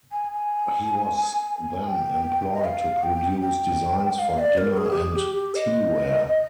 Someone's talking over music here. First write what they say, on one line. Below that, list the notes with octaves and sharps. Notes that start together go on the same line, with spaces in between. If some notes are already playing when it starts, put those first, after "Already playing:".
He was then employed to produce designs for dinner and teaware.
G#5
G#5
G5
D#5
F5
G5
G5
F5
D5
A#4
G#4
G4
G#4
G4
G4
D#5